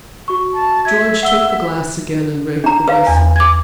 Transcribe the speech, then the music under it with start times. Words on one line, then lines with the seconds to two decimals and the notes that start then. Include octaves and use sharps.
George took the glass again and raked the vessel.
0.28 F#4 C#6
0.54 A5
0.85 E5 G#6
1.23 E5 F#5 E6 G7
2.64 D4 A#5
2.88 B4 F5 A#5
3.07 E2 G#5
3.36 D6 G#6